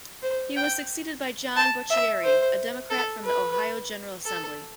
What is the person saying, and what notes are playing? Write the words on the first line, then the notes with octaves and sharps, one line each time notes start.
He was succeeded by John Boccieri, a Democrat from the Ohio General Assembly.
C5
G5
A5
E5
C5
A4
B4
A4